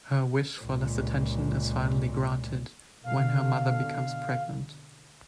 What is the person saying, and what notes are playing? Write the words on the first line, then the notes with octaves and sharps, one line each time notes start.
Her wish for less attention is finally granted when her mother becomes pregnant.
C#2 A#2
B2 D3 F5